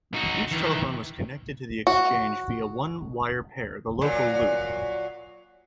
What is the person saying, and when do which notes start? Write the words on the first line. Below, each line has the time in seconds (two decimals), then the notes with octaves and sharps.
Each telephone was connected to the exchange via one wire pair, the local loop.
0.14 D#4 F#4
0.51 D#3 E3
1.87 F#4
4.01 A#2 F#3